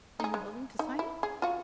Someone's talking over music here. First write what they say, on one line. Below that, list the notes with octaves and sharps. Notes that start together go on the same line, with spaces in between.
Are you willing to sign it?
D#4 G#4
G#3
D#4
E4
G#4
F4 F#4